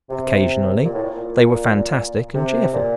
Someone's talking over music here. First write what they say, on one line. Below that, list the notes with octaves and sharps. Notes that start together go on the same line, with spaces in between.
Occasionally they were fantastic and cheerful.
C3
A#2
A2
A#2
C3
A#2